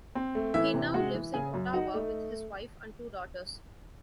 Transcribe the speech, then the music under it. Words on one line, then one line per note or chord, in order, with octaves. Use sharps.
He now lives in Ottawa with his wife and two daughters.
C4
A3
E3 E4 E5
C3
G#3 F#4 F#5
E3
C#3 G#4 G#5
F#2
D#4 F#4 F#5
A3